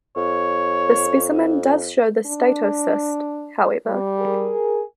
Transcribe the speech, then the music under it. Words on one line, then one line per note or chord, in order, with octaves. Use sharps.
The specimen does show the statocyst, however.
F2 C#5
D4
G3
G#4 A#4